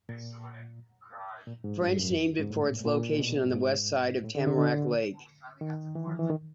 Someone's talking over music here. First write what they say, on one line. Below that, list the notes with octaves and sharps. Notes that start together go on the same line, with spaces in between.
French named it for its location on the west side of Tamarack Lake.
A#2
A#2
G#2
G2
F#2
F2
G#2
A2
A#2
A#2
B2
G2
G#2
A2
D3
D3
D3
D#3
E3
F3
E3
D#3